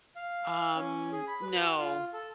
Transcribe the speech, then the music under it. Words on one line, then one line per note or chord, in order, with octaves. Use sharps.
Um, no.
F5
C#4
G#4
B5
B4
F#4
F4
A4